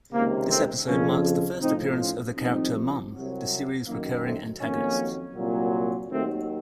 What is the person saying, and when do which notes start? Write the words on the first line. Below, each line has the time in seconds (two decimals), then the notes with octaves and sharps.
This episode marks the first appearance of the character Mom, the series' recurring antagonist.
0.12 C#2 C3 D#3 A#3
0.50 A3 C4
0.87 F2 C#3 F3 A#3 C#4
1.62 A2 F3 C4 D#4
1.99 C#4 F4
2.37 C2 C3 F3 C4 D#4
3.11 C2 C3 F#3
3.86 F#2 D#3 F#3 A#3
4.23 A3 C4
4.61 F2 D#3 F#3 A#3 C#4
5.36 C2 A#2 F#3
6.10 D#2 D#3 F#3 A3 C4